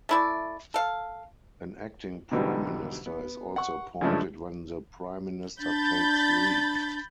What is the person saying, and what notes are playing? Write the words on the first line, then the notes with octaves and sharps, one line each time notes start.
An acting Prime Minister is also appointed when the prime minister takes leave.
A3 E4 D5
A4 F5
G#2 B2 D3 E3 F#3 G3
B3
F#5 C#6
F#2 C#3 F3 G#3 A3 D4
D4 B5 G6 A6